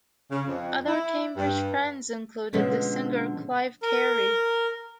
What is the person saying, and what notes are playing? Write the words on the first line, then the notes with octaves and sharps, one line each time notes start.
Other Cambridge friends included the singer Clive Carey.
C#3
F2
E4
G2
B2 D3 F3 G#3 B3 C#4
A#4